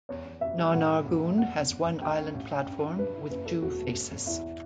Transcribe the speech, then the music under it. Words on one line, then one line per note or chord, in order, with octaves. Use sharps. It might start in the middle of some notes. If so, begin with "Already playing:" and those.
Nar Nar Goon has one island platform with two faces.
E2 C#5
E2
F#1 E5
G3
A2 F#5
E4
F#1
A3
E2 F#5
E2
G1
G1
D2 G5
C#4
A1
C#4
G2
E4
G2 B4
E4
F#1 B4
F#1 A4
E1 F#4
A3
G1
G1
E2 E4